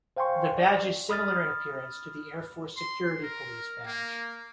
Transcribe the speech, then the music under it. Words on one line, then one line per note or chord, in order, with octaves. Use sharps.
The badge is similar in appearance to the Air Force Security Police Badge.
C5 F5 G5 G#5 C6 C#6
D5
B5 D#6 F6 A6
C6
A#4
A#3